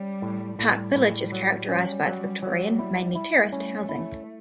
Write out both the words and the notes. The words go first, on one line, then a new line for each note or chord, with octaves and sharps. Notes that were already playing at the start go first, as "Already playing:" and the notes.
Park Village is characterised by its Victorian, mainly terraced, housing.
Already playing: G3 C#4
A2
A2 G3
A2
F#3
C#4
F#3
F#3
E4
E4
A3 C#4
E4